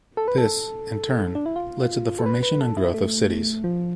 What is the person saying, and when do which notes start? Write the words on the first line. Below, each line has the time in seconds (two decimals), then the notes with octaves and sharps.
This, in turn, led to the formation and growth of cities.
0.17 A4
0.28 B4
0.38 A4
1.35 D4
1.46 E4
1.56 F4
2.19 A4
2.26 B4
2.43 B4
2.61 A4
2.77 E4
2.94 A3
3.64 F3